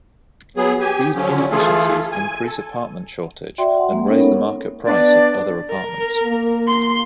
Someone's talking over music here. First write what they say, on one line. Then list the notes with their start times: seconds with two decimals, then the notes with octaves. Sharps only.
These inefficiencies increase apartment shortage and raise the market price of other apartments.
0.57 F#3 B3 G#4
0.80 G4 G#5
1.15 D3 F3 F#3 C#4
1.51 E3 A3 F4 G#4 A4
2.12 G#5
2.45 A4
3.58 F#4 D5 E5 G5 C6
3.77 F#5
3.90 G#3 A#3
4.07 C#4 D#4 A4 A#4 C#5
4.21 B3
4.87 B3 D4 D5
5.70 A#4
6.24 A#3
6.68 C6